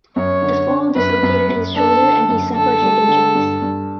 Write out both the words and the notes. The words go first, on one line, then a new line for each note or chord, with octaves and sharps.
The fall dislocated his shoulder and he suffered head injuries.
F#2 C#5
D3
D4
F#2 B4
F#2
F#2
D4 A4
D3
F#2
D3 A4
G3
D3
G2
G2